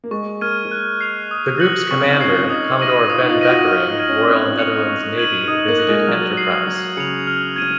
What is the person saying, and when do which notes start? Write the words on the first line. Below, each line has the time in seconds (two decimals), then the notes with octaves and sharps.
The group's commander, Commodore Ben Bekkering, Royal Netherlands Navy visited "Enterprise".
0.04 A#3
0.11 G#3 C#6
0.41 A#3 F6 G#6 D#7
0.71 F#6
1.01 C7 F7
1.31 D#6
1.60 F#6 A#6 C#7 F#7
1.91 C4 C#6
2.02 C#4
2.10 D#4
2.20 F6 G#6 C7
2.30 F4
2.50 D#4 D#6
2.80 A#6 D#7 F#7
3.10 F4 D#6
3.23 D#4
3.29 F4
3.39 A#6 D#7 F#7
3.49 F#4
3.69 F4 F6
3.90 D#4
3.99 G#6 D#7 F#7
4.09 C#4
4.29 C4 F#6
4.44 C4
4.58 C#7 F7
4.73 D#4
4.89 C#6
5.18 G#6 D#7 F#7
5.48 D#4 D#6
5.68 A#3
5.78 F#6 A#6 F7
5.88 G#3
6.07 F#3 F6
6.37 C7 F#7
6.67 F#3 G#6
6.97 C#3 C#7 F7
7.27 F6
7.56 G#6 D#7